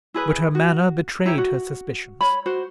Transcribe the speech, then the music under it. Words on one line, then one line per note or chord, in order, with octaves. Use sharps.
But her manner betrayed her suspicions.
E4 G#4 B4
F#4
E4 G4 C#5 A#5
F#4
C#5 B5
F#4 C5